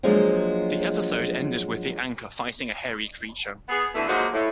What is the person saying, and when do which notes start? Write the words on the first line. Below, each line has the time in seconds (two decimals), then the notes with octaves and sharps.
The episode ended with the anchor fighting a hairy creature.
0.03 F3 F#3 G#3 A#3 D4
3.69 B3 G#4
3.94 B2 D3 E3 A3
4.08 F3 F#3 G#3 A#3 D#4 F#4
4.33 A2